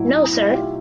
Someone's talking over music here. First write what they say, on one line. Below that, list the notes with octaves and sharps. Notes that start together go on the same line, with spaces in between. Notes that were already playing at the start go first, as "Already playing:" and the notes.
No sir!
Already playing: B1 A2 F#3 E4
F4 G4